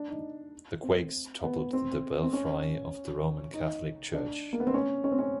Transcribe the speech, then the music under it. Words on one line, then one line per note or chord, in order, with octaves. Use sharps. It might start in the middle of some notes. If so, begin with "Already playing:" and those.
The quakes toppled the belfry of the Roman Catholic Church.
Already playing: D4
D#4
C4
B3
C4
C4
C#4
D#4
D4
A#3
B3
C4
C#4
C#4
C4
C#4